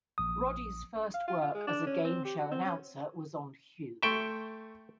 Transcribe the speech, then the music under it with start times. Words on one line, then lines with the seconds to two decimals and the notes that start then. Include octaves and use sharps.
Roddy's first work as a game show announcer was on Whew!
0.18 A#1 D#6
1.14 F5
1.28 F4
1.42 F4
1.54 G#3
1.67 D4
1.86 C#4
2.05 C4
2.25 G4
2.39 F#4
2.51 C4
2.65 C#4
4.03 A3 E5 G5 C6 C#6